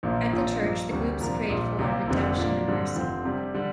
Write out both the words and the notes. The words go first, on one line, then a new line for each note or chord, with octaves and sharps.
At the church the groups prayed for "redemption and mercy".
A#1 A#2 A#3
A#1 A#2 A#3 D4 F4
G2 F3 A#3
D2 C3 G3
C2 A#2 F3 D4 A#4
A#1 A#2 G3
C2 C3 A#3
F1 F2 D3 G3
A#2 F3 A#3 D4 A#4
G2 D3 G3 C4
F1 F2 D3 F3 C4
C3 G3 D4
D3 G3